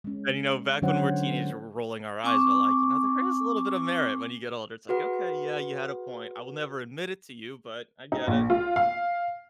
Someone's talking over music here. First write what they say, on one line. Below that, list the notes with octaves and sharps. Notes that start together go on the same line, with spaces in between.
And, you know, back when we're teenagers, we're rolling our eyes but, like, you know, there is a little bit of merit when you get older, it's, like, "Okay, yeah, you had a point. I will never admit it to you, but I get it."
G#3 C#4
D3 F#3 C#4 C5 C#5 F#5
C4 G#5 C#6 D6
F#4 G#4 B4 F#5
D#4
A#1
F4
F5